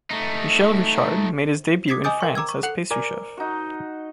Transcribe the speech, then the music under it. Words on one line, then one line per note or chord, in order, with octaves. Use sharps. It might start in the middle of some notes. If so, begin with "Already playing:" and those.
Michel Richard made his debut in France as pastry chef.
A3 D#4
D6 D#6 G#6 A6 B6 C7
D#5 G#5 D6 D#6 G6 A6
A#4 G5 C#6
A#5 D6 E6 G#6
C#6
A4 F#5 F#6 C#7 F#7
A#4 D5 G#5
D#4 F#4